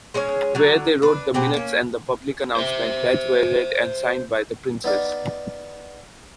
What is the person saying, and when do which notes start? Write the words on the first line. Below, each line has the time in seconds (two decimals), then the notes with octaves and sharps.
Where they wrote the minutes and the public announcement, that were read and signed by the princes.
0.14 G#3 C#4 G#4 C#5
0.55 D3 F#3
1.02 D4 B4
1.34 B2 C4 G4 G#4
1.54 A#3 C#4
2.57 C5 E5
4.84 B3 D#4 D5 F5